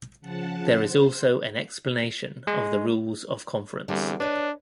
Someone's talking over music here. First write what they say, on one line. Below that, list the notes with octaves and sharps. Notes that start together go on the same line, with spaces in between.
There is also an explanation of the rules of conference.
C#3 F3 F#5 A5
C5
G#3
E2 D3 G3 C4
D4 B4 C#5 D#5